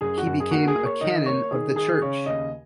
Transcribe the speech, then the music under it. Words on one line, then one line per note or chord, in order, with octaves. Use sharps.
He became a Canon of the church.
F#2 G#4
F#4
F#2
G#4
A#3 F#4
G#4
A#3
C#5
D#3 D#5
A#3 C#5
D#3 G#4
D#3 G#4
C#3 C#5
D#2 D#5